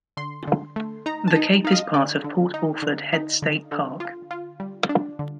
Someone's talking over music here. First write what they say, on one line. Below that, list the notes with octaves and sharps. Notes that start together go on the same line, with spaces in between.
The cape is part of Port Orford Heads State Park.
D3 C6
D3
A3
D#4 A#5
A5
D#4
D#4 F5
D#5
D3 D5
D3
D#4
D3
D#4
D3
D3
F4
F4
G3
D4
D3